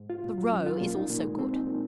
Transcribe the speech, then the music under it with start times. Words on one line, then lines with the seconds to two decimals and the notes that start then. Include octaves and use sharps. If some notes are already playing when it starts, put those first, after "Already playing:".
The roe is also good.
Already playing: G#2
0.10 F4
0.23 A#2
0.38 F#3
0.52 C#4
0.66 F4
0.81 A#2
0.95 D#4
1.10 A#2
1.24 G#3
1.39 C4
1.53 D#4
1.67 A#2